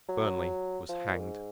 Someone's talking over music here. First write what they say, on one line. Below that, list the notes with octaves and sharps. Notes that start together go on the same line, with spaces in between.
Fernley was hanged.
F#3
F3
A#2
G#2